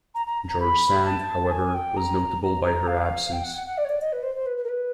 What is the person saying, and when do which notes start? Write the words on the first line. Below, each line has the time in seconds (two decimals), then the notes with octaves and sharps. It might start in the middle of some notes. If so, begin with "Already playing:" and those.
George Sand, however, was notable by her absence.
0.14 A#5
0.26 A#5
0.48 A#5
0.59 B5
1.05 A5
1.50 G#5
1.74 G5
1.96 A#5
2.42 A#5
2.63 A#5
2.86 F5
3.32 G5
3.43 F#5
3.54 F#5
3.66 F#5
3.77 D5
3.84 C#5
3.89 D5
4.00 D#5
4.12 B4
4.22 C5
4.35 C5
4.45 B4
4.56 B4
4.63 A#4
4.68 B4